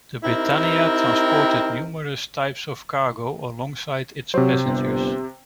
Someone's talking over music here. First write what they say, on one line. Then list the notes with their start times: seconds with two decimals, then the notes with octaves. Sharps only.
The Britannia transported numerous types of cargo alongside its passengers.
0.24 C4 D#4 E4 G4 A#4
4.34 C3 F#3 C5
4.65 G1